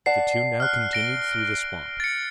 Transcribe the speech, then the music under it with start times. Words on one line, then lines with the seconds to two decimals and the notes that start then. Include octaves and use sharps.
The two now continued through the swamp.
0.06 D5 F#5 A5 C7
0.60 F6 F#6
0.93 A#6 D7 G7
2.00 A6 C#7